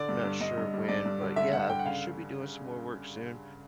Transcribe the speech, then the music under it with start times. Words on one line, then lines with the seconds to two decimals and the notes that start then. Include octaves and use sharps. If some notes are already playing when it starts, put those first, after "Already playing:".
I'm not sure when, but, yeah, I should be doing some more work soon.
Already playing: D3 D5
0.09 G2
0.25 G2
0.41 G2 D#5
0.58 G2
0.74 G3
0.88 G2 D5
1.06 G2
1.22 D3
1.36 D3 E5
1.53 G2 F#5
1.69 D3 G5
1.79 F#5
1.85 C#3 F5